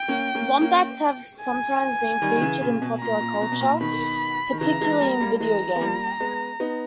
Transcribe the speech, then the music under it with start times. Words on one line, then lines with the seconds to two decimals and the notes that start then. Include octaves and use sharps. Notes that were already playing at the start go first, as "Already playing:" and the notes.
Wombats have sometimes been featured in popular culture, particularly in video games.
Already playing: G5
0.08 A#3 C#4
0.35 A#3 C#4
0.61 A#3 C#4
1.42 G#5
2.22 D#3 G3
2.35 D#3
2.41 C#3 E3
2.61 A#2 C#3
2.82 B2
3.01 A#2 A#5
3.21 A#2
3.34 A#2
3.41 B2
3.52 B2
3.61 A#2
3.81 B2 D#3 B5
4.53 D#3
4.61 C#3 E3 A#5
4.81 E3 G#3
5.00 G3 A#3
5.20 G3 A#3
5.40 E3 G#3 A#5
5.76 B3
5.81 G3 A#3
6.20 G#3 B3
6.60 B3 D#4